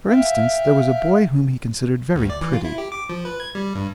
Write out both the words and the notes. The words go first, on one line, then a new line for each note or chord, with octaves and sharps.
For instance there was a boy whom he considered very pretty.
E5 F5 G5
D2
D5
E3
F4
E4
G4
D6
F3
B4
G#6
G3
G2